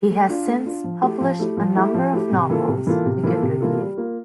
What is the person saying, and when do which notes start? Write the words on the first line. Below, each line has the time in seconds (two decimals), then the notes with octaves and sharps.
He has since published a number of novels to good reviews.
0.10 A3
0.29 D4 F4
0.47 A3
0.65 D4 F4
0.84 F3
1.02 A3 E4 G4
1.21 F3
1.39 A3 E4 G4
1.57 F3
1.75 A3 E4 G4
1.94 F3
2.13 A3 E4 G4
2.32 C3
2.50 E3 A#3 F4 A4
2.68 C3
2.87 E3 A#3 F4 A4
3.06 C3
3.23 E3 A#3 F4 A4
3.42 C3
3.60 E3 A#3 F4 A4
3.79 G3
3.97 A#3 F4